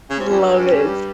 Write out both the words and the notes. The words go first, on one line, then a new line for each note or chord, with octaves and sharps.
love it.
C#3 C#4
C3
F2 G4
G2
C#4
G4
G3